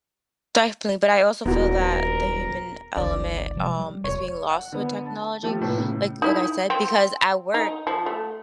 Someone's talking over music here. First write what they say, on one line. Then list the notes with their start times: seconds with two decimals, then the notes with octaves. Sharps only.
Definitely, but I also feel that the human element, um, is being lost with technology, like like I said, because at work
1.46 D#1 B3 E4 F#4 A#4
2.96 G1 C#2 D#3 D5
3.56 C3 F3 G#3
3.80 G3
4.04 E1 C#5
4.50 F#5
4.72 D3 B3
5.05 A5
5.43 F3 A3 F4 G4
5.60 F1 A2 B4
5.77 A2 C#3
6.22 D#4 E4
6.70 C4
7.54 D#4
7.87 F3
8.06 A3